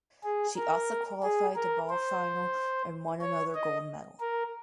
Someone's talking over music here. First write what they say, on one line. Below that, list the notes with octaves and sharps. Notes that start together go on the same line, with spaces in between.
She also qualified to Ball final and won another gold medal.
G#4
A#4
G#4
A#4
C5
C#5
D#5
A#4